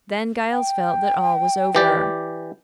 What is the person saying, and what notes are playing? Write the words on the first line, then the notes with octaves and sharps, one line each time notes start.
Then Giles felt that all was over.
G5
E3 G4 D5